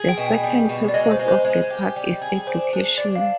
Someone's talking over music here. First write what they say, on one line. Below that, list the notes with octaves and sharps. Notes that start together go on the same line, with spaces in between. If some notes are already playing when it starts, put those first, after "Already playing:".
The second purpose of the park is education.
Already playing: G#4
G5
B2
G5
G3
B2
D5
G#3 D#5
C5
G#3
C5
G#3
G4
G3
G#4
D4 C5
D4
D4 D5
F5